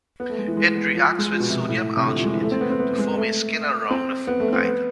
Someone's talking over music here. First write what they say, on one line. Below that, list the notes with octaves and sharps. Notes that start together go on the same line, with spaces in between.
It reacts with sodium alginate to form a skin around the food item.
B3
A3
G#3
E3
G#3
B3
F3
F3
G#3
F3
B2
C3
A2
C3
D3
F3
G#3
E3
A3
C4
B3
C4
B3
G#3
A3
C4
B3
A3
C4
B3